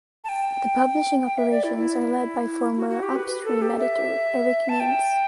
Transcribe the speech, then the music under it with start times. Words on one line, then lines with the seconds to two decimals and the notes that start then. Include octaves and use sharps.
The publishing operations are led by former "Upstream" editor Erik Means.
0.24 A5
0.29 G5
1.26 G5
1.38 E5
1.51 D5
1.64 E4
1.77 E4
2.77 F#4
2.90 F#4
3.03 G4
3.15 B4
3.28 B4
3.45 A4
3.62 G4
3.78 E5
4.69 A5
4.80 G5